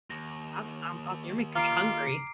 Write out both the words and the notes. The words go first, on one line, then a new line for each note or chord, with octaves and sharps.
That sounds aw You're making me hungry.
D#2 A#6
F4 A#5 D6 F6 C7 D7